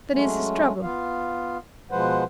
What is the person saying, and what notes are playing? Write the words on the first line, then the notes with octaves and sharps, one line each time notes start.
'That is his trouble.
F#3 G#3 A3 C#4
B3 F4 F5
B2 F3 G#3 B4 C5 F#5